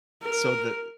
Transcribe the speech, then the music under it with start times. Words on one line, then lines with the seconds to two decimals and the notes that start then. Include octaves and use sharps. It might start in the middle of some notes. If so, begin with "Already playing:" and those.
so the
0.23 A#4